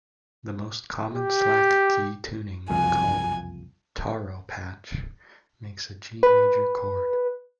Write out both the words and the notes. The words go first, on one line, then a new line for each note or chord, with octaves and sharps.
The most common slack key tuning, called "taro patch," makes a G major chord.
G4
F#1 C2 F2 G#5
B4